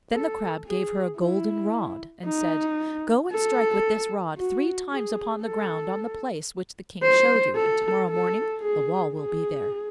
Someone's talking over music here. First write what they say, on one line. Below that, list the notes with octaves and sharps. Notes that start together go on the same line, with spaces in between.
Then the Crab gave her a golden rod, and said, 'Go and strike with this rod three times upon the ground on the place which the King showed you, and to-morrow morning the wall will be there.'
A4
G#4
E4
D#4
A4
F#4
G#4
A4
C5
A4
A4
G#4
G#4